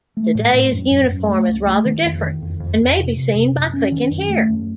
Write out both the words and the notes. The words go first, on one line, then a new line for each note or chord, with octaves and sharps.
Today's uniform is rather different and may be seen by clicking here.
A3
A2
A2
F#2
F#2
F#2
A3
C#2
A3
D#3
F2
D#3
F2
F2
F2
C3
C3
C3
F#2
C#4
D#3
F#2
A3
F#2